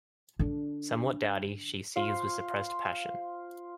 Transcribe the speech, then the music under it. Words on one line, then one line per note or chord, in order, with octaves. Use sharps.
Somewhat dowdy, she seethes with suppressed passion.
D3 D4
F4 C5 F5